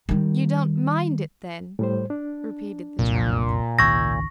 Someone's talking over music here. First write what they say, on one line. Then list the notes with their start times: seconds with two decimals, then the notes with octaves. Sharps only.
"You don't mind it, then?" repeated the child.
0.09 D#3 G3
1.79 A2 G3 C5
2.10 D4
2.99 F#1 C2 F2 A#2
3.79 G#1 C#2 D#3 C#6 E6 G6 G#6 A#6